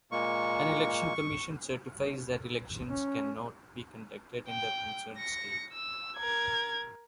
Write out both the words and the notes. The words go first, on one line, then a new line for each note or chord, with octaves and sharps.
An election commission certifies that elections can not be conducted in the concerned state.
A#2 G#3 A#3 C#6
C#4
G5
A#6 C#7
E6
A#4 G#6